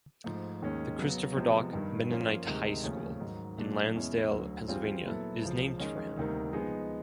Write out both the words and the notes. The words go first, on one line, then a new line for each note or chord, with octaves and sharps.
The Christopher Dock Mennonite High School, in Lansdale, Pennsylvania, is named for him.
G#2 F3 A3
D#2 D#3 G#3 C#4
C#3 F#3 B3
C3 F3 G#3 B3
G2 D#3 G3
F3 A#3 C#4 F4
D2 C3 D#3 G#3
D#2 C#3 F3 A3 C#4
G#2 D#3 F#3
A#2 F#3 A3 D4
E2 B2 G#3 C#4 E4
D2 D3 F#3
E3 G3 C4 F4 G#4
A#2 F#3 B3 E4 A4
C#2 C#3 F3
D#3 G#3 C#4
D2 C3 D#3 G3 A#3
F3 G#3 B3 D#4 G#4